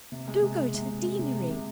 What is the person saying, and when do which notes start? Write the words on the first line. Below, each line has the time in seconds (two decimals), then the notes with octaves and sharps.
Do go to the deanery.
0.12 C3
0.28 G#3
0.43 C3
0.58 G#3
0.74 C3
0.89 C3
1.04 G#3
1.19 C3
1.35 C3
1.49 C3